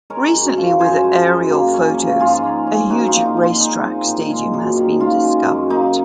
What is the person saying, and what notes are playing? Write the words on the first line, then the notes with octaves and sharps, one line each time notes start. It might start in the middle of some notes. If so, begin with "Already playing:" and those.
Recently with aerial photos, a huge racetrack stadium has been discovered.
G#3 A#4 C#5
F#2
F3
F#2 G#4 C5
G#3
F#2
A#3
C#4
F3
G#2 F4 G#4
A#3
C#4
C4 D#4 F#4
F4
A#2
D#4
G#3
F4
A#2 D#4
C4
A#2
G#3
F#2
D#3
F#2 F4
G#3
F#2
A#3 D#4